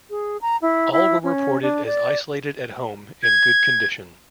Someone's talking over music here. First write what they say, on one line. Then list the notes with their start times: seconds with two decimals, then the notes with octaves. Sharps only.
All were reported as isolated at home in good condition.
0.10 G#4
0.42 A#5
0.62 E4
0.92 E4
1.24 C#4
1.62 D4
1.86 D5
3.23 G#6